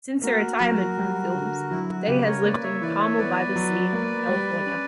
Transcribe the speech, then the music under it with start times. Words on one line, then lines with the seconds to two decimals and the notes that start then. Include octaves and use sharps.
Since her retirement from films, Day has lived in Carmel-by-the-Sea, California.
0.23 A#3 F#4 A#4
0.60 F#3
0.98 G3
1.34 D3
1.71 F#3 E4
1.89 F#4
2.08 C#3 G4 B4
2.26 A#4 C#5
2.44 A#3 B4 D5
2.63 C#5 E5
2.81 E3 B4 D5
3.00 C#5 E5
3.18 B3 B4 D5
3.56 F#3
3.93 A#3
4.29 G3
4.66 C#4